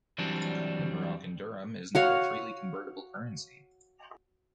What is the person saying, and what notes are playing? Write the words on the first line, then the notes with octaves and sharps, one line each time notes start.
The Moroccan Dirham is not a freely convertible currency.
E3 F#3 G3 C4 D4
F#4 C#5 F5